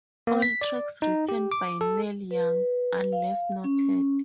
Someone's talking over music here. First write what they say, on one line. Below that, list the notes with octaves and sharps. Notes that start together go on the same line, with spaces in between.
All tracks written by Neil Young, unless noted.
A#3
B6
D5
D#4
G4
D6
A4
B4
F5
C#4